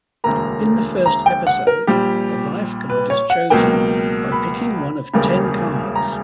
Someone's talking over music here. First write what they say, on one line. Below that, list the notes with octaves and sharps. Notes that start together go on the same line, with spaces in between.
In the first episode, the Lifeguard is chosen by picking one of ten cards.
E1 D2 D3 A#3 A#5
A#5
G5
F#5
A#4
A#1 A#2 G3 G4
B4
C#5
F#5
C#2 B2 F#3 A#3 G5
B5
E1 D2 C#3 G3 A#3
A#5